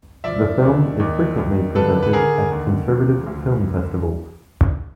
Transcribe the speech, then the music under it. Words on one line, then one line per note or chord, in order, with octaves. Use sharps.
The film is frequently presented at conservative film festivals.
F3 D5 E5
D#2
D#2
D#2
D3 A4 B4
B4
D3 G#4 A#4
D#2
F3
D2